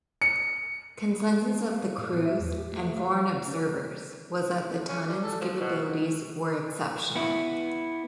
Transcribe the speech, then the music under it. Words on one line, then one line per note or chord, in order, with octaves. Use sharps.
Consensus of the crews and foreign observers was that the Tunnan's capabilities were exceptional.
C#7
F5
G3
A2
B3
E5
E2
G4
A3
A3
F5
C#5
C#4
C#4
G3
A4
F3
B2
B3 E4